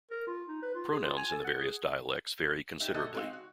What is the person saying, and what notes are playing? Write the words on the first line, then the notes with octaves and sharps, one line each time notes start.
Pronouns in the various dialects vary considerably.
A#4
F4
D#4
B4
F4
G#4
F4
G#5
A4
F#5
G#4
D#4 G4 E5
A#2 F#4 A4 D#5 E5
G#3 C4 D#4 F#4 F5
F#4